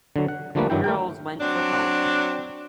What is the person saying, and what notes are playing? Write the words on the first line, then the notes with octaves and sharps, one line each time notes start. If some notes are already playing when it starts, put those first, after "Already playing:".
The girls went for help.
D3 F#3
F#5
D3 F3 G3 A3 A#3 B4
G2 D#3 F#3 E4 G5
A3 A#4 G5
F#3 C4 D4